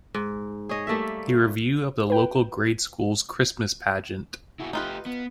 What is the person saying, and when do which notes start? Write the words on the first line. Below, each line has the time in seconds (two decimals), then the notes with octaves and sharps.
A review of the local grade school's Christmas pageant.
0.14 G#2
0.69 G#4 C#5 D#5
0.87 G3 A3 A#3 E5
2.10 B4 G5
4.60 E4 F#4 G#4
4.73 A3 D#4 F4 G4 B4
5.06 B3